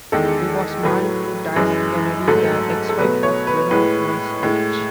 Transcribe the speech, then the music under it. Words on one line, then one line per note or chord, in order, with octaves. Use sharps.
He was married to Daisy Kennedy, the ex-wife of Benno Moiseiwitsch.
E2 D#3 G#3 A4
A2 F#3 A3 B4
F#2 E3 G#3
G#2 F#3 A3 A4
A4
B2 F#3 A3 B4
C#5
B4
A2 G#3 B4
A2 G#3